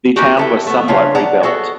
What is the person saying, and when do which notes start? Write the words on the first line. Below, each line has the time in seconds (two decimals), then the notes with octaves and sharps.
The town was somewhat rebuilt.
0.16 A#3 B3 C#4 D#4 F#4 G4
0.37 E4 A4 B4
0.67 A3 B3
0.88 C#3 D4 F4 C#5
1.15 B3 D5 F#5 A5 A#5
1.43 B3 F#4 G#4 A4